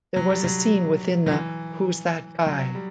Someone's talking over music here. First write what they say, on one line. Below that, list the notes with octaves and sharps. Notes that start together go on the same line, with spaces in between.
There was a scene within the Who's that Guy?
F#3
G3
F#3
F#3
E3
F#3
G3